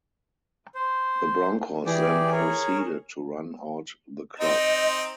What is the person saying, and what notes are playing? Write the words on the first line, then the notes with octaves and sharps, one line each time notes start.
The Broncos then proceeded to run out the clock.
C5
E3 G4 G#4 D5
G#4 A#4 C#5
C4 D#4 D#5